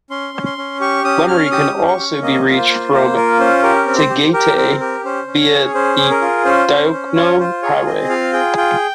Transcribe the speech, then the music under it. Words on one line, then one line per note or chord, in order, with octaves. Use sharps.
Lemery can also be reached from Tagaytay via the Diokno Highway.
C#4 C6
C#4
C6
C#4
G4 C#6
C#4 D#6
C#4 F6
G4 D#6
C#4
C#6
C#4
A#3 D#5
F4
C5
A#3
A#3 C5
F4 A#4
C#4 C5
G4 A#4
C4
C5
G4
G4 A#4
C4 A#4
G4 A#4
C#4 C5
C#4
C#5
G#4
C#4 C5
G#4
A#4
F4
C#4 C5
C#4
C#4
F4 C#5
F4 C5
G#4 C#5
C4 D#5
F4 F5
G#4 G5
F4 G5